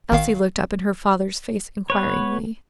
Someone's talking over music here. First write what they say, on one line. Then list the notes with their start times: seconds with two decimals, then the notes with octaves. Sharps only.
Elsie looked up in her father's face inquiringly.
0.11 G#1 D#3 F5
1.90 B3 B4 C#5